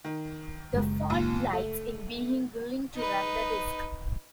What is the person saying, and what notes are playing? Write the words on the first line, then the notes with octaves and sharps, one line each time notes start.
The fault lies in being willing to run the risk.
D#3
F#1 G#3
D#2 A#2
A3
D#4 B4